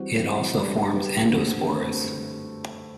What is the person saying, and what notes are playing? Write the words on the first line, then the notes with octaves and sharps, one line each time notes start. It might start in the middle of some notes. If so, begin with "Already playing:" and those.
It also forms endospores.
Already playing: E3 G3 C4 F#4
E3 G3 C4 F#4
G3 D4 G4 B4
G3 D4 G4 B4
D3 A3 C4 F#4 B4
D3 A3 C4 F#4 B4